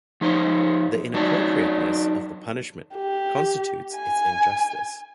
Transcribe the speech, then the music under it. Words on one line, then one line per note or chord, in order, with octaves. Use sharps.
The inappropriateness of the punishment constitutes its injustice.
F3 D#4 C5 C#5
F#3 D4 D#4 F#4 C#5 D5
G4
G#5